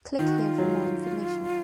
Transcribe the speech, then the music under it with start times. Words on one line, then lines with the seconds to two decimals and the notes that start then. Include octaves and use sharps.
Click here for more information.
0.19 D#3 F4
0.28 F#4
0.39 F4
0.58 F#3